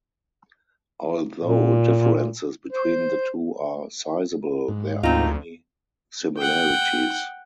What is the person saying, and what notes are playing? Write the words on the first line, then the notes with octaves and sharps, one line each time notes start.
Although differences between the two are sizeable, there are many similarities.
A#2
C5
G#2
D2 C4 D#4 F4
F#5 G5